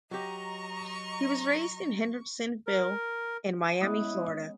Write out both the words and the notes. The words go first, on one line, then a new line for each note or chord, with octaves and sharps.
He was raised in Hendersonville and Miami, Florida.
F#3 G4 D#5 A#5 C#6
A#4
G#3 B3 C#4 E4 D#5 D#6 F#6